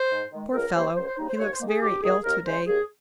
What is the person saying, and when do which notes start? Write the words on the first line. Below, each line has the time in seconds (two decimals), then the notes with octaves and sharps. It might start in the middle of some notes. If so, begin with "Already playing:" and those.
Poor fellow, he looks very ill to-day.
Already playing: C5
0.10 G#2
0.32 D#3 G#3
0.53 C#2 A#4
0.74 C#3 G3 A#3 C5
0.96 C#2 C5
1.06 C5
1.17 C#3 G3 A#3 D#4
1.28 C5
1.39 D#2 C#5
1.53 C5
1.60 D#3 A#3
1.67 G#4
1.81 D#2 G4
2.03 D#3 A#3 G#4
2.24 D#2 A#4
2.46 C#3 G#3 C5
2.67 D#2 G#4